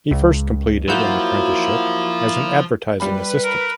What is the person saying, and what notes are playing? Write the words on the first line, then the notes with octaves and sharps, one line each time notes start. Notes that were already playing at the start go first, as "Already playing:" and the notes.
He first completed an apprenticeship as an advertising assistant.
C#2
F3 F#3 A#3 E4 F#4 G6
G3 B4 B5
A#4